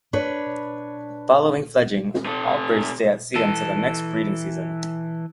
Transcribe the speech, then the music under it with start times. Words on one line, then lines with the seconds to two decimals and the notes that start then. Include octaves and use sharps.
Following fledging, all birds stay at sea until the next breeding season.
0.13 D4 B4 C#5
2.25 C3 A4
3.35 E3 A4